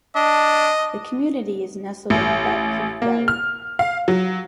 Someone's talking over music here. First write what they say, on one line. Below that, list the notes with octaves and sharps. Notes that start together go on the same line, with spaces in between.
The community is nestled in the Back Creek valley.
D4 D#5
A1
A#3
F6
F5
F#3